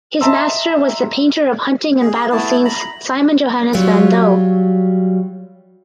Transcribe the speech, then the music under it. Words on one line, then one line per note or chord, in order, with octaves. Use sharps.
His master was the painter of hunting and battle scenes Simon Johannes van Douw.
D#5 E5 A5 A#5 C6 E6
G#4
A3 B3 E4 A5
A#5 B5
F#3 G3 F4 C#5